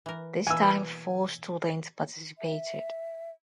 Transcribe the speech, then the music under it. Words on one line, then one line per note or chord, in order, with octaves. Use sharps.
This time four students participated.
E3 A#4
B2 E3 A#3 G#5 E6
E5